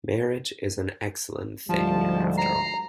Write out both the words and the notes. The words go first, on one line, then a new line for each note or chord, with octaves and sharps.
Marriage is an excellent thing, after all.
D2 G#2 F3 G3 A5
A#5 C7